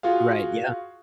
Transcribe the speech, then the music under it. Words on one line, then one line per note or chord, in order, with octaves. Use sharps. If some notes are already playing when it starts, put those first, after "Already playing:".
Right, yeah.
F4 F#4 G#4 F5